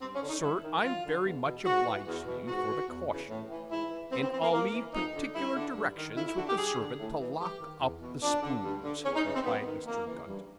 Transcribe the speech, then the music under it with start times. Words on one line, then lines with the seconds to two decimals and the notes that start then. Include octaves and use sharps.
'Sir, I'm very much obliged to you for the caution, and I'll leave particular directions with the servant to lock up the spoons,' replied Mr. Gunter.
0.02 G2 C4
0.15 C#4
0.22 D3
0.29 D#4
0.42 G2 E4
0.63 D#3
0.84 F#2 F4
1.04 D3
1.25 E2
1.46 B2
1.66 G#2 F#4
1.86 E3
2.07 E2
2.27 B2
2.48 G#2 F#4
2.68 E3
2.89 E2
3.09 C#3 E3
3.30 A2
3.51 E3
3.71 G#2 E4
3.92 E3
4.12 G2 B3 C4
4.22 C4
4.32 E3 C4
4.43 A#3
4.53 G2 A#3
4.74 E3
4.93 F2 D#4
5.15 D3
5.34 G2 E4
5.56 D3
5.76 G2
5.97 D#3
6.17 F2 E4
6.27 E4
6.37 D3 F#4
6.48 G4
6.58 G2 G#4
6.79 D3
6.99 A2
7.20 E3
7.40 G2 G4
7.60 D#3
7.81 E2
8.02 B2
8.22 F2 D4
8.43 D3
8.64 G2
8.84 D3
9.04 E2 C#4
9.15 D#4
9.25 C#3 E3
9.35 C4
9.45 F#2 B3
9.66 D#3
9.86 F2 A#3
10.07 C#3 E3
10.27 G2